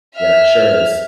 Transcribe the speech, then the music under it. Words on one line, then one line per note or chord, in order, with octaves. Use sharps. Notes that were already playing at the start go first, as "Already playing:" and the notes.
Yeah, it sure is.
E5 F6